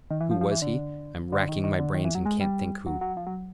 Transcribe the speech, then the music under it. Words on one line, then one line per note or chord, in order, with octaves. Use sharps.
Who was he? I'm racking my brains and can't think who.
D#3
E3
F3
F3
E3
D3
D3
D#3
D#3
D3
D#3
E3
F#3
G#3
G3
F#3
F#3
F3
F#3